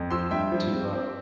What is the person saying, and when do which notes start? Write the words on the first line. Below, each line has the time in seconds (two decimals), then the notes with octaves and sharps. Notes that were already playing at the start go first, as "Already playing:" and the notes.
to, uh,
Already playing: F2
0.11 F3 C6 E6
0.31 G2 E5 G5
0.52 F3
0.73 C4
0.93 C4